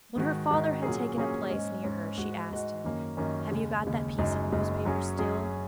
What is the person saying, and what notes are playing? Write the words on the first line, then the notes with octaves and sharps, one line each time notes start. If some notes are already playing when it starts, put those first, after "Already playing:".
When her father had taken a place near her she asked him, 'Have you got that piece of newspaper still?'
G#2 D#3 G#3 F#4
G#2 D#3 G#3 F#4
A#2 F#3 A#3 C#4 G#4
A#2 F#3 A#3 C#4 G#4
G#2 G#3 C#4
G#2 G#3 C#4
G#2 G#3 F#4
G#2 G#3 F#4
F#2 D#3 A#3 C#4
F#2 D#3 A#3 C#4
D#2 C#3 G#3
D#2 C#3 G#3
F#1 F#2 C#3 G#3 D#4
F#1 F#2 C#3 G#3 D#4
F#2 F#3 C#4 G#4
F#2 F#3 C#4 G#4